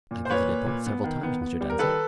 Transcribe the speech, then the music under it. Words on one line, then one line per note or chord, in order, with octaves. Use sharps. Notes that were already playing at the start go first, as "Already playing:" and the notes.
"I've visited both several times, Mr. Denzil."
A#2
C5
A#2 B4 C#5
A#2
A#2
B3
D#3
B3
B3
G3
A#4
D#3 A4 B4